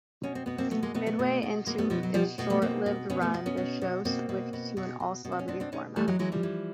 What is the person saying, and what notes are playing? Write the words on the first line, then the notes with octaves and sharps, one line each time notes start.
Midway into its short-lived run, the show switched to an all-celebrity format.
B2 C#4
C4
B2 B3
A#3 C4
B2 A3 B3
G#3 A#3
B2 A3 B3
A3 B3
B2
B2
B2 G#3 A#3
A3 B3
B2 F3
F#3
B2 F3 G3
B2 A3 B3
A3 B3
B2 A#3 C4
B2
B2 B3 C#4
A3 B3
B2
B3 C#4
B2
B2
B2 A#3 C4
B2
B2
B2
B2
B2
C4
C#4
B2 C4 D4
C4 D4
B2 C#4 D#4
E3 G3 A3
F#3 G#3
E3 F#3 G#3
F3 G3
E3